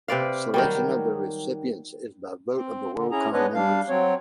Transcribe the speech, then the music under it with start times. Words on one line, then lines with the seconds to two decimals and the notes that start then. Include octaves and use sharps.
Selection of the recipients is by vote of the Worldcon members.
0.08 C3 B4 D5 F5
0.54 D#3 F#3 G3
2.56 C4
2.96 D3
3.11 C#4 E4 G#4 A#5
3.33 G#3 B3 D4 B4 C#5 D#5
3.55 G3 D4 F5
3.89 F#3 C4 C#5